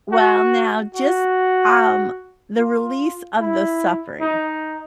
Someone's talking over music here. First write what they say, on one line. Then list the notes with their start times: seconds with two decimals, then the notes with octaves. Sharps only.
Well, now, just, um, the release of the suffering
0.12 F#4
0.95 F#4
2.57 F4
3.39 E4
4.21 D#4